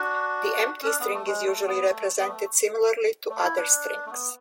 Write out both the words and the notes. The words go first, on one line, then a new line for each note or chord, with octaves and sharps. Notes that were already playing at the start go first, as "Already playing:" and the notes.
The empty string is usually represented similarly to other strings.
Already playing: D4 F#4
C#4
D4
B3
A3
G#3
A3
B3
A3
B3
A3
A3
E4
D4
A3
B3